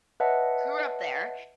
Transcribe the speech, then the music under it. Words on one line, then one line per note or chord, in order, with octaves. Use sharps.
grew up there,
B4 C#5 D#5 E5 F#5 A5